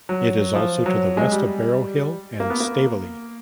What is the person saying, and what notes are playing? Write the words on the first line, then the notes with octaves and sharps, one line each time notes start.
It is also to the west of Barrow Hill and Staveley.
F#3
F3
F#3
G#3
G3
A#3
B3
A#3